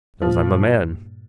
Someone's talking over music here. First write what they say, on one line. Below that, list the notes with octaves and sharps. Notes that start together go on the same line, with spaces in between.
Knows I'm a man.
G2 A#2 F3